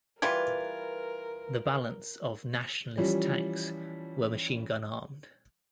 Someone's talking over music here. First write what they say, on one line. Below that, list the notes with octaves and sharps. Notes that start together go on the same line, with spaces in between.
The balance of "Nationalist" tanks were machine gun armed.
E3 G3 F4 A#4 B4 G#6
E3 F3 G3 C#4